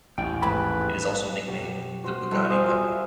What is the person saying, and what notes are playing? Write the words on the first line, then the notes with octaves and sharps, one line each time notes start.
It is also nicknamed the Bugatti Pebble.
A1 D#2 G5
G#2 A3 B4 A5 B5
B2 G4
F#4 C5
G3 A3 E4 F#5
G#4 C5 D#6
F4 A#4 E5